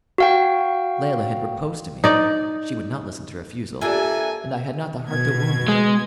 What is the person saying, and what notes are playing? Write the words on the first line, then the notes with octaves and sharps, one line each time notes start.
Layelah had proposed to me, she would not listen to refusal, and I had not the heart to wound her.
F#4 F5 G5
D#4 D5
A#3 D4 F4 G4 A4 D5 E5 G#5
B2 G#6
G#3